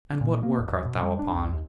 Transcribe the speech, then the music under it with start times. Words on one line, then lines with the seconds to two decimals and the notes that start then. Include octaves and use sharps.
'And what work art thou upon?'
0.21 A#2
0.43 A#3
0.58 E1
0.70 E2
0.85 B2
1.03 G3
1.19 D4
1.35 C2
1.53 D#2